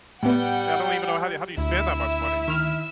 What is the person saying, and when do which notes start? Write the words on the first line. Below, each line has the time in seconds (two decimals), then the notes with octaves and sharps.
Yeah, I don't even know how do how do you spend that much money?
0.23 A2 G3 B3 F#5 G5
1.57 D2 E4 E5 E6
2.48 D#3 F6